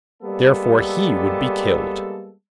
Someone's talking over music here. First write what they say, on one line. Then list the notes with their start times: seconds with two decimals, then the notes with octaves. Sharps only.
Therefore he would be killed.
0.23 G3 G#3 A#3 B3 A4